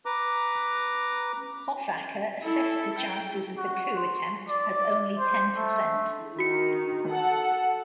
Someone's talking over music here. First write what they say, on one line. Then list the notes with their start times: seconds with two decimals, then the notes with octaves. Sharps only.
Hofacker assessed the chances of the coup attempt as "only ten percent".
0.05 B4 A#5 D6
2.43 E4 A4
2.98 G5
3.57 F#4
3.96 C6
4.49 D5
5.19 C5
5.56 A3
6.39 D#3 F#4 C#7
7.09 A4 F#5